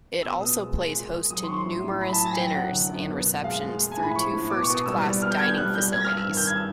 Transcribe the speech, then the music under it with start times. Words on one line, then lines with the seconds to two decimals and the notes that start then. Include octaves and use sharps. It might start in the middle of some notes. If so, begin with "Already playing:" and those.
It also plays host to numerous dinners and receptions through two first-class dining facilities.
0.23 B2 E6
0.41 B2 D#6
0.59 G#3
0.77 G#3
0.95 A#2
1.13 A#2
1.30 F#3 D#6
1.43 C6
1.48 F#3 C#6
1.58 C6
1.66 A2
1.84 A2
2.01 F#3 B5
2.13 A5
2.20 F#3
2.26 G#5
2.37 F#3 G5
2.54 F#2 F#5
2.72 D3
2.90 F#2
3.09 B2
3.27 B2
3.43 G#3 F5
3.62 G#3
3.79 G#3
3.91 G#5
3.97 A2
4.03 B5
4.15 F3 C#6
4.33 A2
4.50 B2 D6
4.63 C#6
4.68 B2 D6
4.75 D#6
4.86 G3 E6
5.04 G3
5.21 B2 F6
5.31 G6
5.39 B2 G#6
5.48 G6
5.58 G3 F#6
5.75 G3 G6
5.93 G3 G#6
6.04 F6
6.11 G2
6.17 E6
6.29 D#3
6.37 G6
6.47 G2 G#6
6.56 E6